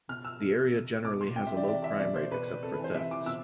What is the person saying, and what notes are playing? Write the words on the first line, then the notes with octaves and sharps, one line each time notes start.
The area generally has a low crime rate except for thefts.
B2 F6
E6
B2
B2
B2 D6
C6
C3 G5
E5
E3
D5
E5
C3 D5
E3 E5
B2 D5
C5
B2 B4
C3 A4
B4
E3
C5
C3 E5
E3 D6
B2 E6